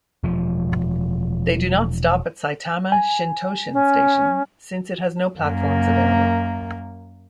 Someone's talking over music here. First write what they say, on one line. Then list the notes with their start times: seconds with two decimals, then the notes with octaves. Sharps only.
They do not stop at Saitama-Shintoshin Station since it has no platforms available.
0.24 E1 F3
2.92 G#5
3.73 C#4
5.39 F#2 A#3